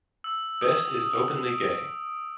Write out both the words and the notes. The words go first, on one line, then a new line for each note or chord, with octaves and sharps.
Best is openly gay.
E6
D#6
D7